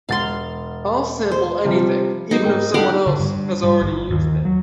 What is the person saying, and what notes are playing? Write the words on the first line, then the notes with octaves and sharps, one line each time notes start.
I'll sample anything, even if someone else has already used it.
E1 F5 F#5 C6 A6
C5
C3 F3 G3
F#3 B3 D#4 G#4
G#2 A#4 G5
D4 F#4 G4 A4 F5 F#5
D3
G2
G3
G1
D#2
F#3